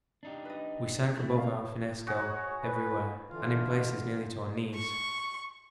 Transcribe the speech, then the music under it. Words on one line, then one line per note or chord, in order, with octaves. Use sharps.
We sank above our finnesko everywhere, and in places nearly to our knees.
D4 D#4 G4
B4 D#5
C3 A3 E4 F#4
F5 A#5
F#4 G#4 C#5
C#5
B4
D3 E3 F4 F5
C#6